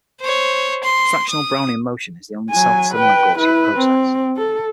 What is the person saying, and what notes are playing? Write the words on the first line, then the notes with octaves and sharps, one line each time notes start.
Fractional Brownian motion is the only self-similar Gaussian process.
C5 C#5
C6
D#6
F#3 G#5
B4 G5
E4 B4
C4
A4